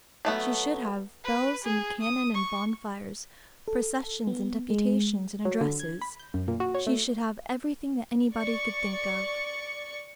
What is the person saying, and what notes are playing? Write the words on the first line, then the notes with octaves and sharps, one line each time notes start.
She should have bells and cannon and bonfires, processions and deputations and addresses--she should have everything that anybody could think of.
F#3 A3 B3
B4
G#4
D#6
C#6
A4
B3
G#3
F#3
D3
G#6
B5
G6
F#2
A#2
F#4
C#5
A3
D5 C#6 C#7